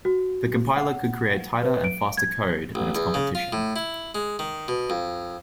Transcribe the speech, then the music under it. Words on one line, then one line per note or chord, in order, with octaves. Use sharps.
The compiler could create tighter and faster code than its competition.
F#4
F#5
B4
D7
G#6
A1
E2
C#3
F4
A2
E4
G#3
D#3
B2
F2